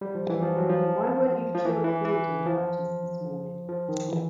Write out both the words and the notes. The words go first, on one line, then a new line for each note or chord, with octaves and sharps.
Why weren't you two at fielding practice this morning?
G3
F3
E3
F3
F#3
F3
F3
E3
E3
E3
F3
F3
D#3
E3